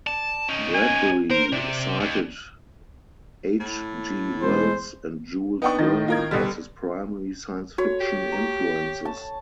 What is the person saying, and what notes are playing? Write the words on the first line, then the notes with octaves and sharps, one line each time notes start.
Bradbury cited H. G. Wells and Jules Verne as his primary science fiction influences.
D5 A5
C#4 D#4
G#5
A#4 C5
C3 D5
D#2
A2
E1 G#3 C5
B3 D4 D#4 G5 C#6
A2 D#3 D#5 A6
F4 A#4 G#6
B2 D3 G3
F#4 C#5
G4
A#5
A5